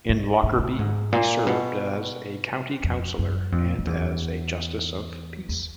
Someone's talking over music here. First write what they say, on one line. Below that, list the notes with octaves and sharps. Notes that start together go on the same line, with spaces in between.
In Lockerbie, he served as a County Councillor and as a Justice of Peace.
G#2
A2
A#2
A2
G#2
A#2
B2
F2
F#2
F2
F2
E2
E2